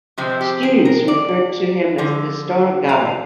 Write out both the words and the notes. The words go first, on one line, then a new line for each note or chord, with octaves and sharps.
Students refer to him as "the star guy".
C3 F3 G#3 C4
G4
G#4
A#4
D5
D3 F3 G#3
F5